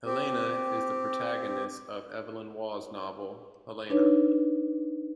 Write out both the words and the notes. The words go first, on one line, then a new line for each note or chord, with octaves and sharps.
Helena is the protagonist of Evelyn Waugh's novel "Helena".
C4 G4
D4 D#4 B4 C#5